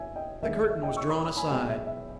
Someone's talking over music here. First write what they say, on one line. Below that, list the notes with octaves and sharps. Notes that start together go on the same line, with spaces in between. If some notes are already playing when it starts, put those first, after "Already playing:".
The curtain was drawn aside.
Already playing: E5 G#5
D#5 G5
D#2 D#3 G#3 E5
E5
E5
D#5 G5
C#6 E6
B5 D#6
B5 D#6
G#5 B5
B1 B2 G#3 D#5 G5
E5
E5